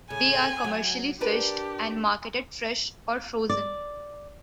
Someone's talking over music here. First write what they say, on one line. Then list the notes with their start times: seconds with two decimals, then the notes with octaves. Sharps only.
They are commercially fished, and marketed fresh or frozen.
0.10 A2 C#3 G#5
0.64 F#3
1.21 D4 G4 A#4 B4
3.50 D5